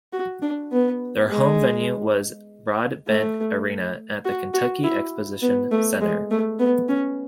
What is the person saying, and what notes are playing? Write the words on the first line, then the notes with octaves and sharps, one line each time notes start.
Their home venue was Broadbent Arena at the Kentucky Exposition Center.
F#4
D4
B3
G#3
A3
F#4
F#4
E4
B3
A3
G#3
A3
B3
C#4